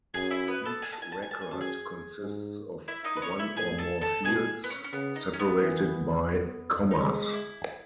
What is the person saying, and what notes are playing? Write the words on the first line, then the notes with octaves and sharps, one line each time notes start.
Each record consists of one or more fields, separated by commas.
F#2 G#4 G#5
E4 E5
B3 B4
A4 A5
G#5
A5
G#5
A5
G#5
A5
G#5
F#2 A5
G#4 G#5
G#2
E4 E5
D#4 D#5
B4
C#4 C#5
E4 E5
A2 G#4 G#5
A4 A5
A4 A5
B2 G#4 G#5
B3
C#4
C#4
C#3 B3
D#4
C#4
B3
E3
D#4
G#3 C#4
E4